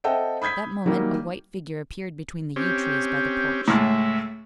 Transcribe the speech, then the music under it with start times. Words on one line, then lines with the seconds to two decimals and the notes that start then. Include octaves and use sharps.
That moment a white figure appeared between the yew-trees by the porch.
0.04 C4 A4 D#5 E5 F#5 G5
0.42 B5 D#6 G6 G#6 B6
0.85 D#3 F#3 G3 A#3
2.56 C4 C#4 G4
3.68 C#2 A2 E5